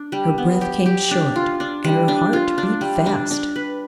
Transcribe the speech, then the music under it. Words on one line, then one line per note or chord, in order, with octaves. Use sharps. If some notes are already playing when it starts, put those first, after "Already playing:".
Her breath came short and her heart beat fast.
Already playing: D4
G3
B3
G4
G4
D4
F4
D4
G3
D4
F4
D4
G3
D4
D4
B4